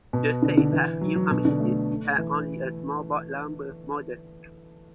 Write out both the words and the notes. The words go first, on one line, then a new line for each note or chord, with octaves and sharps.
The same had few amenities: had only a small box lumber modest.
B2
D3
D3
E3
F#3
F#3
B2
D3
A3
E3